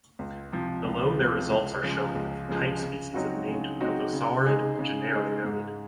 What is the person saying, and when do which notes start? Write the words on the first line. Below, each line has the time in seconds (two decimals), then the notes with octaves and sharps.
Below, their results are shown with type species of named nothosaurid genera noted.
0.19 C#2
0.52 C3 F3
0.84 C#2
1.17 C3 F3
1.50 C#2
1.83 C#3 F3 G#3
2.15 C#2
2.48 C#3 F3 G#3
2.82 C#3
3.14 F#3 C4 D#4 F#4
3.48 C#3
3.80 F#3 C4 D#4 F#4
4.13 C#3
4.46 G#3 D#4 G#4
4.79 C#3
5.12 G#3 D#4 G#4
5.44 G#2